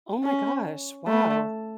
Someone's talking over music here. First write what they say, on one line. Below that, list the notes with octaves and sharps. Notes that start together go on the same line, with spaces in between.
Oh my gosh, wow.
C#4
A3